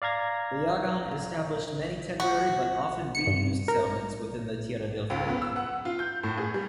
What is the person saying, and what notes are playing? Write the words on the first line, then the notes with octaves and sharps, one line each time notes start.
The Yaghan established many temporary but often reused settlements within Tierra del Fuego.
D5 F5 A#5 G#6 A#6
F#4
C#7
G2
A#4
C#2
B3
E6
F#5
F4
G6
A2
G#4
G3